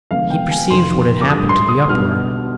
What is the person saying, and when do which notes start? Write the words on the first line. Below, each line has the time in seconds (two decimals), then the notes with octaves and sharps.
He perceived what had happened to the uproar.
0.11 F1 F2 D3 G#3 B3 F5
0.30 G5
0.51 G#5
0.70 F1 F2 D#3 C6
1.21 D6
1.29 D2 D3 G3 D#6
1.49 C6
1.69 D#6
1.88 B1 B2 G3 B3 D4 F6